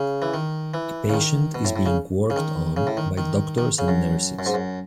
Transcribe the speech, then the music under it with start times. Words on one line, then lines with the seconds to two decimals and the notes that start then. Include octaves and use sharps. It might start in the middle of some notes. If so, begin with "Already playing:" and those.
A patient is being worked on by doctors and nurses.
Already playing: C#3
0.22 E3
0.34 D#3
0.74 E3
1.09 C#3
1.14 D#3
1.54 B2
1.65 A2
1.76 A2
1.86 C#3
2.30 C#3
2.36 D#3
2.77 C#3
2.87 A2
2.97 D#3
3.18 D#3
3.58 D#3
3.79 C#3
3.88 F#2
4.39 F#2
4.46 G#2
4.54 F#2